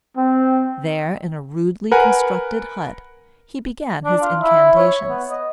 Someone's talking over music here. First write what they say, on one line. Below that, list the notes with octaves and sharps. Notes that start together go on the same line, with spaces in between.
There, in a rudely constructed hut, he began his incantations.
C4
A#4 B4 F#5 G#5
D4
F4
E4
C#5
B3
D#5